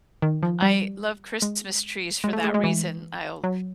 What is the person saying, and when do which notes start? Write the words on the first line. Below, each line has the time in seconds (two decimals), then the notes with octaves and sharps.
I love Christmas trees for that reason, I'll
0.22 D#3
0.43 F3
0.62 G3
1.42 G#3
2.24 G#3
2.33 A3
2.44 G#3
2.54 G#3
2.64 E3
3.44 F#3